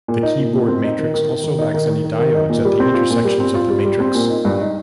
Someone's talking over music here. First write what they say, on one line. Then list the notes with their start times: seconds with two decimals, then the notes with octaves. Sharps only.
The keyboard matrix also lacks any diodes at the intersections of the matrix.
0.08 A#2
0.23 D#4
0.39 A#2
0.53 A#2
0.68 C4
0.84 D#4
0.99 D#3
1.14 D#3
1.29 D#3
1.44 D#3
1.59 D#4
1.74 D#3
1.90 D#3
2.04 D#3
2.19 D#3
2.35 D#4
2.50 A#2
2.65 G3
2.80 C4
2.94 F4
3.10 A#2
3.24 G3
3.40 C4
3.55 F4
3.70 G3
3.85 G3
4.00 C4
4.15 A#2
4.30 D#4
4.45 G2
4.61 D#4